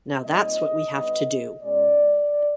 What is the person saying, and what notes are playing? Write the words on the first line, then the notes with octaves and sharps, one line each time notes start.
Now that's what we have to do.
A#2 G3 C4 D#4 D#5
D3 G3 B3 D#4
B2 G#3 C#4 D5